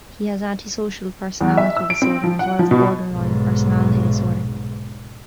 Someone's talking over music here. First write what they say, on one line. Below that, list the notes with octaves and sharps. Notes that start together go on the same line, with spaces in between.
He has antisocial personality disorder as well as borderline personality disorder.
E2
E5
E6
D7
C4
F3
F#5
F3
B2
B1 G#2